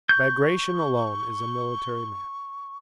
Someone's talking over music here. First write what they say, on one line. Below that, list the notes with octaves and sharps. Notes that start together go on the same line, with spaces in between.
Bagration alone is a military man.
C#6 G6